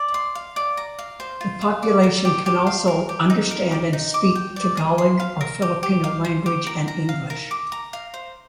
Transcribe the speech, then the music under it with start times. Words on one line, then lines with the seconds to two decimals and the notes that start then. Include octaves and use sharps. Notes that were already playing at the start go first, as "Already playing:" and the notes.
The population can also understand and speak Tagalog or Filipino language and English.
Already playing: D5
0.14 C6
0.35 F5
0.56 D5
0.77 A#5
0.99 F5
1.20 C5
1.41 F4
1.61 F5
1.83 D5
2.03 A#4
2.25 G4
2.46 G4
2.67 F5
2.88 A#4
3.09 G4
3.30 D#4
3.51 A#4
3.72 G4
3.93 D#4
4.14 D6
4.35 G5
4.56 D5
4.77 G#4
4.98 C6
5.20 F5
5.41 A#4
5.62 G4
5.83 G4
6.04 F5
6.25 C5
6.46 G4
6.67 A#4
6.88 A#5
7.09 F5
7.30 A#4
7.51 D6
7.72 A#5
7.93 F5
8.14 C5